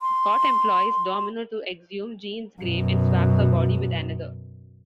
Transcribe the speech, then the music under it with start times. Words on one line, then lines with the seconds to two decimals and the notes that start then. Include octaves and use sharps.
Scott employs Domino to exhume Jean's grave and swap her body with another.
0.01 C6
2.62 F#2 B2